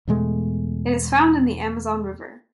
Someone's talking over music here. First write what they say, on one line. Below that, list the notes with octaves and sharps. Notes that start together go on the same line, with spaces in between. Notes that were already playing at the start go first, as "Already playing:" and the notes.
It is found in the Amazon River.
E2 B2 G#3 A3